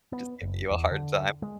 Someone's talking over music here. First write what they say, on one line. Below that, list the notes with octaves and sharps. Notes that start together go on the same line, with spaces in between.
just give you a hard time.
B3
F#1
E2
D3
G#3